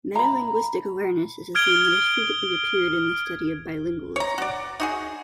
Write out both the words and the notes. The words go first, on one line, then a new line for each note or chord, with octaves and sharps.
Metalinguistic awareness is a theme that has frequently appeared in the study of bilingualism.
A#5 B5
D#6 F6 G#6 D7 G7
C#5 A#5
F#4 D5
D#4 F#4 G#4